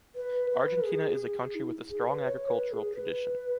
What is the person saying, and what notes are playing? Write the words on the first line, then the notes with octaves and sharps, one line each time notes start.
Argentina is a country with a strong agricultural tradition.
B4
B4
G#4
E4
G#4
B4
C#5
B4
G#4
B4